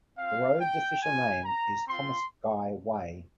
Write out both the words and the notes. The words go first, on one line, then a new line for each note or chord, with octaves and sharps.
The road's official name is Thomas Guy Way.
C4 F4 F5
G5
G#3 D4 F4 G#5
A#5
C4 F4 C6